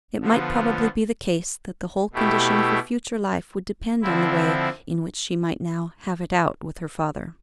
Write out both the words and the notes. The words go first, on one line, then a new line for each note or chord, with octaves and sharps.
It might probably be the case that the whole condition of her future life would depend on the way in which she might now "have it out" with her father.
D3 F3 B3 F4
B2 A3 E4 G4
D3 F3 C4 E4